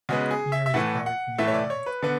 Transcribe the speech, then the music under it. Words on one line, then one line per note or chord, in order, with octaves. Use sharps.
Heer is buried nearby.
C#3 G#3 B3 F#4
G#4
E5
E5
A2 E3 A3 F#5
F#5
A2 E3 A3 E5
C#5
D5
C#5
B4
D3 B3